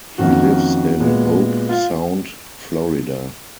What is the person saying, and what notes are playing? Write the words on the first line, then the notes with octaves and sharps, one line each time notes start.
He lives in Hobe Sound, Florida.
F2 D#3 A#3 C#4 F#4
A#2 G#3 B3
F4